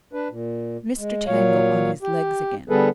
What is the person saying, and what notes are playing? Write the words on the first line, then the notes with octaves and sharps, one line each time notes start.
Mr. Tangle on his legs again.
D4 B4
A#2
G#3
A#2 F#3 C#5 F5
G4
D3 G3 B3 G#4 A4 B4